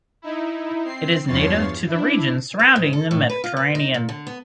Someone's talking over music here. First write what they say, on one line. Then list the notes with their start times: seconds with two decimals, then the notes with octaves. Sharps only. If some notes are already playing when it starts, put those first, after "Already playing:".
It is native to the regions surrounding the Mediterranean.
0.22 D#4 E4
0.85 C4 C7
1.27 E2 G2 F3 C#5 A6 C7
1.87 D4 E4
2.59 B4
2.76 G#2
2.93 A4
3.11 A2
3.30 B4
3.44 F4
3.57 B4
3.75 D#4
3.94 A#2
4.09 D3
4.27 B3